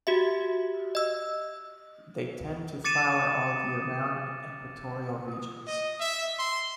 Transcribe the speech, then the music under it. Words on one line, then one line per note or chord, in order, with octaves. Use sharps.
They tend to flower all year round in equatorial regions.
F#4 G4 E5
D#5 E6
D6 A6 C#7 D#7 E7
D#5
E5
C6